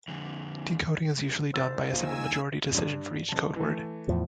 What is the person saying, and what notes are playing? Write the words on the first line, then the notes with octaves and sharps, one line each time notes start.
Decoding is usually done by a simple majority decision for each code word.
F2 D3
G#1 D2 C5 E6 A6
D#2 D#3 F4 G#5 E6
G2
F#1 A5
E3 A3
E2 A2 F3